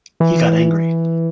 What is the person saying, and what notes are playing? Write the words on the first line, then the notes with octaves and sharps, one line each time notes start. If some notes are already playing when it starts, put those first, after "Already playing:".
He got angry.
E3